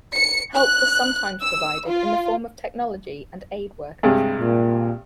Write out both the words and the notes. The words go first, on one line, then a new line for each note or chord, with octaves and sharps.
Help was sometimes provided in the form of technology and aid-workers.
C#7
F#6
E6
F4
G2 C3 G#3
A#2